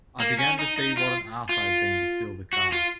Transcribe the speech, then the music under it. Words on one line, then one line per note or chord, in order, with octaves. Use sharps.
I began to see what an ass I had been to steal the car.
A#3
C#4
D#4
D#4
F4
F4
F#4
F4